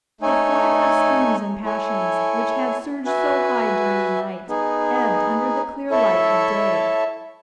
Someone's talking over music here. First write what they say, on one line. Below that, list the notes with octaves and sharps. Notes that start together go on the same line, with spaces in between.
The flood of schemes and passions, which had surged so high during the night, ebbed under the clear light of day.
A3 D#4 A4 C#5 G#5
E4 A4 C#5 G#5
F#4 B4 E5 G#5
B3 D#4 G#4
E4 A4 C#5 E5 A5